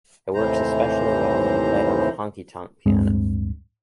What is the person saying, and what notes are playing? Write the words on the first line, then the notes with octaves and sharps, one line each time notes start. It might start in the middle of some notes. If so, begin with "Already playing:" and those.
It works especially well when played on a "Honky tonk" piano.
D#2 A2 C3 E3 C5 A#5
D1 G2 G#3 C4